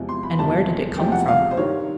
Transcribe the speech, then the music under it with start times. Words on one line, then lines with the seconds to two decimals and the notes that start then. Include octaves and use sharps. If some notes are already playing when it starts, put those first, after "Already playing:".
"And where did it come from?"
Already playing: E2 C3 F3 G#3
0.09 C6
0.23 B5
0.38 E2 C3 F3 G#3 A5
0.98 E2 C3 F3 G#3 G5
1.12 F#5
1.28 F5
1.51 C5
1.57 G2 D#3 G3 C#5